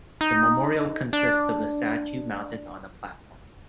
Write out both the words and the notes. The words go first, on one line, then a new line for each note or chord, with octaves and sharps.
The memorial consists of a statue mounted on a platform.
D#4
D4